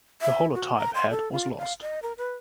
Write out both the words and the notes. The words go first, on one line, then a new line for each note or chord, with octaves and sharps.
The holotype head was lost.
E5
F#4
A#5
C6
A4
F4
F5
D#5
A#4
B4